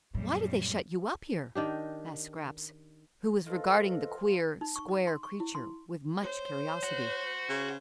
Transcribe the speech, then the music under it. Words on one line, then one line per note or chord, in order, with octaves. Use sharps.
"Why did they shut you up here?" asked Scraps, who was regarding the queer, square creature with much curiosity.
F#2 A#2 G3
D#3 D4 G4
F3 F4 A4 B4 D#5
D#4
C#6
D#5
C6
C#6
E4
C6
C5 C#5
F#4
C#3 G#4